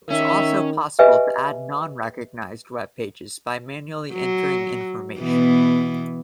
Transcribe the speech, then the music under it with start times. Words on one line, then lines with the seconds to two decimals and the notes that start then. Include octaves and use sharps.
It was also possible to add non-recognised webpages by manually entering information.
0.10 D#3 C#4 E5
0.99 G4 G#4 B4 D#5 E5 G#5
4.13 F#3
5.19 B2 E3 B3